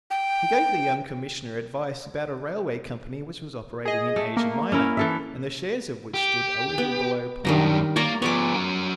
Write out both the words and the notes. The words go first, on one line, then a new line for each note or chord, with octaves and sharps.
He gave the young Commissioner advice about a railway company which was operating in Asia Minor, and the shares of which stood a little below par.
G5
G#4 D#5
A3
A#3
C#4 E4 A#4
E3 A4 E5
G4
B3
F#2 D#3 G3 D4 A#5
A#3 C#5 D5 A#5
F3 B3 C#5 D5 D6
F#3 A#4